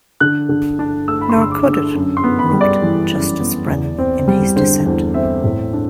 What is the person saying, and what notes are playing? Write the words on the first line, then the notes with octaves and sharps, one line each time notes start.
Nor could it, wrote Justice Brennan in his dissent.
D3 F#6
D3
D4
A3 E6
B5
C6
D3 E6
D6
D3
E6
F#2
C6
B3
B5
G3
D5
E3
F#2
B3
E2
C4
G3
D3 C5
E2 C5
C4 E5
A2
D4